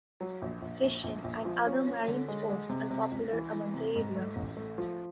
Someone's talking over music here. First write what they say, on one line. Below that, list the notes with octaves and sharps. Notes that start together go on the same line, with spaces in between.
Fishing and other marine sports are popular among the area.
F#3
A#1
A#1
A#1
A#1
A#1
F3
C#4
C#4
D3
G#3
G#3
C3
C3
C#2
E3
E3
C3
G#2
A3
A1
A3
F3